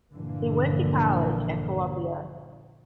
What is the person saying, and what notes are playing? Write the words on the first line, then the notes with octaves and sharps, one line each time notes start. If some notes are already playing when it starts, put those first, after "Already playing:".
He went to college at Columbia.
A#1 G2 A#2 D3 E3 A#3